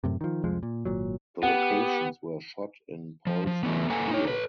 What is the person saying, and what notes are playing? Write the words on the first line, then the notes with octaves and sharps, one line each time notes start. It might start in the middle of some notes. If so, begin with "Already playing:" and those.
The locations were shot in Polson Pier.
F#2 A2 C3
D#3 F3
C2 F2 F3 G#3
A#2
G#1 A#2 F#3
B3 G4 F#5
F3
F3
E3 A3 B3
A#3 A4 B4 F#5 G#5 A#5
D#4 C#5
A4 B4